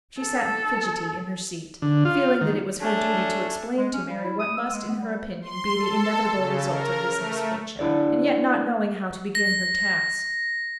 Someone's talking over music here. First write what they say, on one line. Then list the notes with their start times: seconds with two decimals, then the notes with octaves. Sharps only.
She sat fidgety in her seat, feeling that it was her duty to explain to Mary what must, in her opinion, be the inevitable result of this misfortune, and yet not knowing how to begin her task.
0.21 A4
1.82 D3
2.05 F4
2.41 D#3
2.81 A3 C#4 D4
3.78 G#3
3.94 C#4
4.10 G3
4.24 E4
4.39 D#6
4.57 E6
4.72 G#3
4.89 B3
5.01 G3
5.42 C6
5.74 A4
6.35 C#3
6.68 A#4
7.12 A3
7.79 D4 E4 A4 D5
9.35 A#6